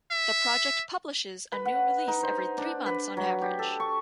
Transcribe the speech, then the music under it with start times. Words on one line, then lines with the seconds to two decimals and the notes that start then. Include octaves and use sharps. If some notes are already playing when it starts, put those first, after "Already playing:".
The project publishes a new release every three months on average.
0.11 E5
1.52 B4
1.65 F#5
2.08 D#4
2.23 C5
2.58 D4
2.86 B4
3.17 F#3
3.41 G4
3.59 A4
3.80 C#6